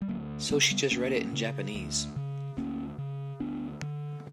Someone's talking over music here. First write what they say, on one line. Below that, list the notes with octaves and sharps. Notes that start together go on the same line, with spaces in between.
So she just read it in Japanese.
G3
D2 F#3 A#3
C#3 G3 B3
G3 B3
D2 A#3 C#4
C#3
D2
C#3
D2 A#3 C#4
C#3
D2 B3 D4
D3